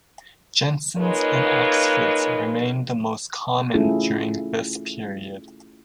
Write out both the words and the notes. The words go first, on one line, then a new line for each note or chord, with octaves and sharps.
Jensens and Oxfords remained the most common during this period.
G#3 A#3 D#4 F4 B4 C#5
A3 C#4 E4 F4 G#4 A4